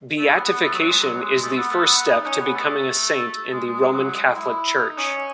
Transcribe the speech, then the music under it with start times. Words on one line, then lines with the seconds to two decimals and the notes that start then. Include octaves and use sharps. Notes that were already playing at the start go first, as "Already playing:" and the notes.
Beatification is the first step to becoming a saint in the Roman Catholic Church.
0.18 A3
0.32 B3
0.45 B3
0.60 A3
0.73 F#3
0.88 G#3
1.02 F#3
1.22 G#3
1.43 A3
1.58 B3
1.71 A3
1.85 B3
2.06 D#4
2.26 C#4
2.41 B3
2.55 A3
3.52 G#3
3.66 G#3
3.79 G#3
3.94 F#3
4.15 G#3
4.35 E4
4.77 D#4
4.98 C#4